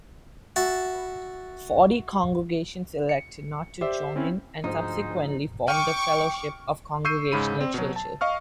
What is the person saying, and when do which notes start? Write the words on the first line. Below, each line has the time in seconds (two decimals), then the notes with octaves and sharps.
Forty congregations elected not to join, and subsequently formed the Fellowship of Congregational Churches.
0.56 F#4 E5 A5
3.09 C#7
3.81 G4 C5 D5 E5
4.16 C4 C#4 E4
4.64 D2 G#2 F3 D#4 F#4 G#4 C5
5.68 G5 C#6 D6 F6 D#7
7.05 C#6 E6 G6 C7 D#7
7.32 G#2 C#3 B5 D#7
7.59 C4 D5
7.74 B2 F#3
7.96 A5
8.21 D#5 F5 C#6 F6